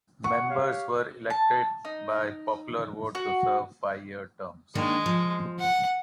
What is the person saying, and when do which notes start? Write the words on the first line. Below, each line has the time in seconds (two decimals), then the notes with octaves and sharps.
Members were elected by popular vote to serve five-year terms.
0.24 F#5 C#6
0.50 G4 C#5 F5
1.30 A5
1.85 D#4
3.15 F#4
4.75 D#3 G#3 A#3 D4
5.06 F3
5.59 F#5